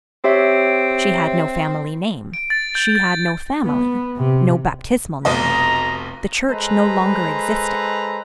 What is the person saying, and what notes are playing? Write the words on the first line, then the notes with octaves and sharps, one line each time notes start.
She had no family name; she had no family; no baptismal name; the Church no longer existed.
C4 G4 C#5 E5
D7
A6
G6
A6
B3
C3
F1 B1 D#5 A#5
G#3 A4 B4 C5 A#5